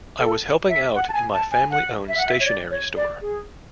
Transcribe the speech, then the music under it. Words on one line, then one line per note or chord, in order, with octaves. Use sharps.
I was helping out in my family owned stationery store.
A4
E5
F#5
A5
G#5
A5
G#5
F#5
E5
F#5
E5
C#5
D5
C#5
D5
G#4